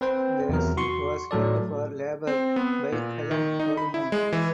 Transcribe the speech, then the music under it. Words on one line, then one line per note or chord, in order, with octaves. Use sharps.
The seat was held for Labour by Helen Dollimore.
C4 B4 C5 G5
E2 C3 F#3 A#4
F#4 C6 C#6
A2 F#3 A4 D5
C4
B3
A#2
D#3
D#4
B5
E4
G#3
E3